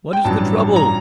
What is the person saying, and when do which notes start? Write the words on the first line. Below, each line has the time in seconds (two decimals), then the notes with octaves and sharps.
"What is the trouble?"
0.13 G5
0.24 A1 G2 F#3 A5
0.76 A#5